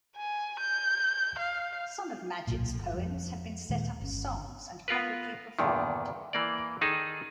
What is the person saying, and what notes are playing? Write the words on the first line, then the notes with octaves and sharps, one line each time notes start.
Some of Madgett's poems have been set up as songs and publicly performed.
G#5
G6
F5
D1 B1 A#2
G1
F2 G3
D#2 A#2 D#3 G#3
G1 C#4
B3 F4 A#4 B4
E2 G2 A#2 D3 D#3
E3 A#3 D5
D#3 D#4 G#4 A4